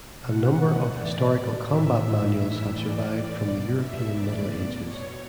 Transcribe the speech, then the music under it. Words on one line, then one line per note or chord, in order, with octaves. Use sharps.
A number of historical combat manuals have survived from the European Middle Ages.
B2 F#5
B2
A2 E3 D5
B2
A2 E3 E5
A2 E3
A2 E3 E5
A2 E3 D5
A2 E3
B2
B2 E5
A2 E3 D5
B2
B2 C#5